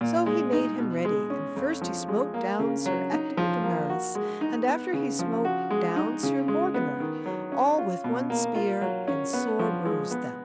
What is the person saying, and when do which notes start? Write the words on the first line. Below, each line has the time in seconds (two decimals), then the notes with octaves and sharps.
So he made him ready, and first he smote down Sir Ector de Maris, and after he smote down Sir Morganor, all with one spear, and sore bruised them.
0.01 A#2
0.26 G#3
0.53 D#4
0.79 B2
1.05 G#3
1.30 C#4
1.56 F2
1.81 F3
2.08 G#3
2.34 A#3
2.59 C#3
2.86 F#3
3.12 D#4
3.37 F3
3.64 A#3
3.90 F#4
4.15 G#3
4.41 D#4
4.67 B3
4.93 C#3
5.19 F3
5.45 F#4
5.70 G#3
5.96 D#4
6.23 C#3
6.48 G#3
6.74 B3
7.00 D#3
7.26 F#3
7.52 C#4
7.78 F4
8.04 B2
8.30 A#3
8.55 F4
8.81 F#3
9.08 C#4
9.33 B3
9.59 F3
9.85 G#3
10.11 B3